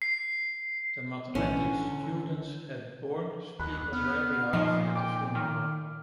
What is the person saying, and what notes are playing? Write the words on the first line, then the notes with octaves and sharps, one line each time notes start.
The mathematics students had Born speak on their behalf at the funeral.
C7
B1 A2 D3 E3 C#4
D#2 B5 F#6
B3 F6
A#2 F3 D#4 C7
G5 D6
D#3 F6